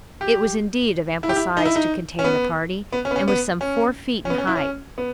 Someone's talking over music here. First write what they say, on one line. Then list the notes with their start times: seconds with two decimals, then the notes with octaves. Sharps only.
It was indeed of ample size to contain the party, and was some four feet in height.
0.21 G4
1.23 E4
1.29 G4
1.36 E4
1.57 D#4
1.65 E4
1.76 D#4
2.19 C#4
2.24 B3
2.93 B3
3.05 C#4
3.11 B3
3.16 C#4
3.28 B3
3.61 C#4
4.25 C#4
4.30 B3
4.38 C#4
4.47 E4
4.55 C#4
4.98 B3